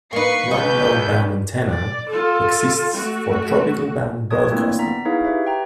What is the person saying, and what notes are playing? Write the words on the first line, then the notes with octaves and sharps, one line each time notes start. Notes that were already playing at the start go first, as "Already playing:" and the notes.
One Low Band antenna exists for Tropical Band broadcasting.
A#3 D#4 B4 C#6 C7
C#2 B2 B4 D#5 G6
D5
F4 A4
A3 F#4
A#4 B4 C#5 A5 D#6 G#6
A3 A#3 C4 D4 E4 F4
B3 D5 A#5 B6
D#4 E4 G#4 B4 C#5 F5
G4 B4 C#5 E5
G5 A#5